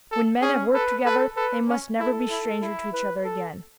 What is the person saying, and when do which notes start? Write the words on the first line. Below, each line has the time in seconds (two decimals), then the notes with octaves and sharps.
When men have worked together, they must never be stranger to each other again.
0.12 A4
0.42 C#4 G#4
0.74 A4 B4
1.05 A4 B4
1.36 A4 B4
1.68 C#4
1.99 E4 A4
2.31 E4
2.62 E4
2.93 B4
3.24 A4